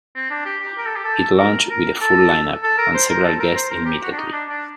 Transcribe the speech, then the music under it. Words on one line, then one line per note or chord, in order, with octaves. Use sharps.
It launched with a full lineup, and several guests immediately.
C4
D4
G4
G4
A#4
A4
G4
A4
A#4
A#4
A4
A4
A#4
C5
A#4
A4
A#4
C5
A#4
G4
F#4
D4
D#4
D4
D4